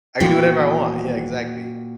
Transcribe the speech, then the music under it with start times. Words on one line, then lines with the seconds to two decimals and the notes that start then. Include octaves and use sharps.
I can do whatever I want, yeah, exactly.
0.20 D#1 A#2 E3 B3 F#4 G5